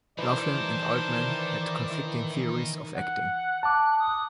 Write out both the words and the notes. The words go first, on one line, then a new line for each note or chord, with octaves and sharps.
Laughlin and Altman had conflicting theories of acting.
D#3 E3 A#4 C5 D5 A5
F#5
A5 D6 F#6
D#6